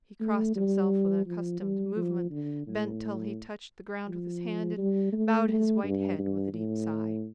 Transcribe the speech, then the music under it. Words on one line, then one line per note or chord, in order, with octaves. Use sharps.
He crossed himself with an accustomed movement, bent till he touched the ground with his hand, and bowed his white head with a deep sigh.
A3
G3
F3
G3
F3
D3
A2
F3
G3
A3
A3
G2
G2
A2